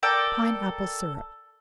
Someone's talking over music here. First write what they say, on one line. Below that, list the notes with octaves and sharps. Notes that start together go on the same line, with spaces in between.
Pine Apple Syrup.
A4 A#4 D5 G5